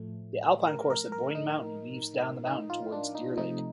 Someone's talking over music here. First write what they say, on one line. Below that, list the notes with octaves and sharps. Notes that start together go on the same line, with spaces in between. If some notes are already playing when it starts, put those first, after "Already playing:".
The Alpine course at Boyne Mountain weaves down the mountain towards Deer Lake.
Already playing: A2 F3 A3
A#4
A#4
A#4
D#4
D#4
F4
D4
D#4
C3 F3 A3 D#4